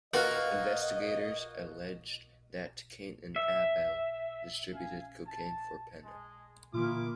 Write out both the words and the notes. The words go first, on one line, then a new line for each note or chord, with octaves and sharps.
Investigators alleged that Kane and Abel distributed cocaine for Pena.
A#3 F4 F#4 B4 D#5 F#5
E5
C#4 F5 G#5
A5
G#3
A#2 D3 E3 G#3 A#3 E4 F4 D6